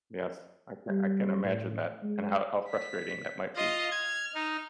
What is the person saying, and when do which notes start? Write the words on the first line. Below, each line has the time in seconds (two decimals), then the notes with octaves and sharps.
Yes. I can I can imagine that, and how how frustrating that might be.
0.90 G3
1.44 A2
2.03 G#3
2.69 B6
3.56 F4 D#5 F5
3.91 F6 G#6
4.35 D#4